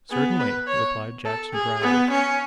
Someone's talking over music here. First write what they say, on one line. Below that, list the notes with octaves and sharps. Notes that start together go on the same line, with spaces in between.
'Certainly,' replied Jackson drily.
B3 G#4
B4
C#5
A4
G#4
B3
C#4